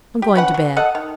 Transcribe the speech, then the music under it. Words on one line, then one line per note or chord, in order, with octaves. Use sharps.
I'm going to bed.'
G4
C#4 B4 F#5
F#3
A4 D#5 F#5
D#3